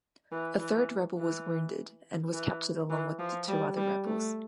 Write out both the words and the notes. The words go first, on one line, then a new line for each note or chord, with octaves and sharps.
A third rebel was wounded and was captured along with two other rebels.
E3
E3
E3
E3
E3
F3
G3
G3
A3